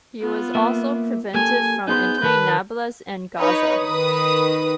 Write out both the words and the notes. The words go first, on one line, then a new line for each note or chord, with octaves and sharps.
He was also prevented from entering Nablus and Gaza.
B3 F4
A#3 E5
A#3 G4 A4 G#5
B3 D#4 G#4 C5 G6
D#3 A#4 B4 A5
D#4 B4 C#5
D#3 B4 D#6